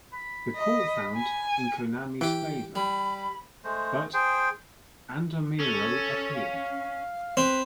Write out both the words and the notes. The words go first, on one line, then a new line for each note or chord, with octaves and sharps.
The court found in Konami's favor, but Andamiro appealed.
B5
D#5
G#5
E3 G4 G5
G3 B5
G#3 A3 C5
G#4 C5 G5
C#4 A4
F5
C4 B4